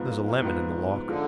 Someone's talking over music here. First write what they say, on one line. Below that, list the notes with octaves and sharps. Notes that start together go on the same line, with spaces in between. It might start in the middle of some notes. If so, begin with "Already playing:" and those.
There's a lemon in the locker.
Already playing: G#2 F3 B3
A#3
A#3
G#2 D#3 F3 B3
B2
B2
D3 F3 G#3 D#4